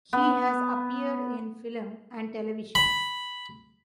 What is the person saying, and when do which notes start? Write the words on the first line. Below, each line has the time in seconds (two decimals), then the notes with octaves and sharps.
He has appeared in film and television.
0.13 B3
2.75 B5